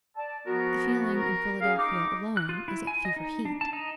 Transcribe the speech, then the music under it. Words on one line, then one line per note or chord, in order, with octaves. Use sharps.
"The feeling in Philadelphia alone is at fever heat."
D5 A5
F3 B3 F#4 A#4
A#4
C#4 G#4 F5
D#4 D6
F#6
F4
E4
G#5
D#5
D#4
D4
A5
D#4